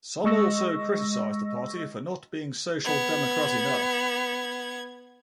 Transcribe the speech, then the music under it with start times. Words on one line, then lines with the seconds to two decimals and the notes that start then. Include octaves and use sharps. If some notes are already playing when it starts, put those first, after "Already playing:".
Some also criticize the party for not being social democratic enough.
0.24 G#3 D#5 C#6 E6 A#6
2.85 B3 G#6